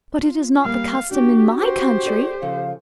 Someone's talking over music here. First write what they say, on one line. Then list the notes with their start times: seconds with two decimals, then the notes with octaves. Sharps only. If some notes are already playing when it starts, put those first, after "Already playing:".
'But it is not the customer in MY country!
0.21 F4
0.65 G3 A#3 F5
1.11 D4 F#4 G4
1.60 G4 C5
2.05 G#4 A4 D5
2.42 C#3 F3 A4 F5